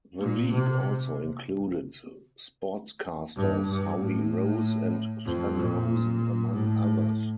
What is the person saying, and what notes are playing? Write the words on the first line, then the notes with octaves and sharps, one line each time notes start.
The league also included sportscasters Howie Rose and Sam Rosen, among others.
A#2
C3
G2
G2
A2
F2
A#2
A2